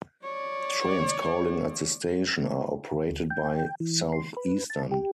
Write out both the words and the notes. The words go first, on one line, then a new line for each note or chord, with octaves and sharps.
Trains calling at the station are operated by Southeastern.
C#5 D5
D2
G5
E3
C6
B4
A5
G4